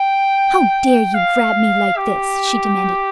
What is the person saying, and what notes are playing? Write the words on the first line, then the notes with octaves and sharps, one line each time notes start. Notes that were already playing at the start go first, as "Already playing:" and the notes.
"How dare you grab me like this?" she demanded.
Already playing: G5
F5
G4